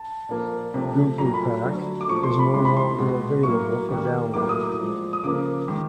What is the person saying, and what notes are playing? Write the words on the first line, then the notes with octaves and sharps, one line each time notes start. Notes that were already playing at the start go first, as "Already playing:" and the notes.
Google Pack is no longer available for download.
Already playing: A5
A#2 F3 A#3
C3 F3 A3
A#2 F#3 A3 A#5
B5
D3 F#3 A3
D6
A#2 F3 A3 C#6
C6
B5
C3 E3 G#3 C6
B5
C6
B2 G#3
A2 F#3 A#3 C#6
D#3 G3 A#3
A2 F#3 A#3 D6
D#6
D#6
A#2 F3 G#3
D#6
C#3 F3 A#3 D6
D#3 G#3